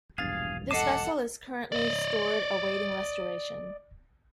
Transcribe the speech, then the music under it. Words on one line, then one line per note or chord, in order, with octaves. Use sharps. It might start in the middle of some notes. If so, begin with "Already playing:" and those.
This vessel is currently stored awaiting restoration.
E1 A#1 G2 G#4 F5 G#6 A6
A4 D#5 F#5 A5 D6 C7 D#7
D5 D#5